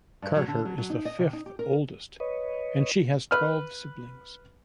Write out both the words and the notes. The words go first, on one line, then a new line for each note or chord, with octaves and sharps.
Carter is the fifth oldest and she has twelve siblings.
G2
F#3
D3
F#3
F#3
D#4
D#5
C3
D#4
G4
A#4
B4 C#5 D#5
B4 F6